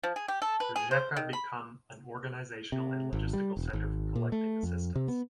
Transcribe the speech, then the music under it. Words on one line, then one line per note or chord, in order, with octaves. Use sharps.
Rijeka become an organizational and logistical center for collecting assistance.
F3
G#4
G4
A4
B4
G#4
C5
D#3
B5
C3
G#1
G3
E1
G#1
A#2
A3
F2
C3
B3